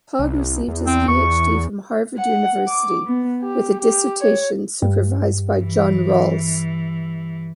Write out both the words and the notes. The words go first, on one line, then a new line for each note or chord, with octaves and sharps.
Pogge received his Ph.D. from Harvard University with a dissertation supervised by John Rawls.
C2
E2
C4
E2 C#6
F#5
D6
B3
G4
G4
C#5
G2
E3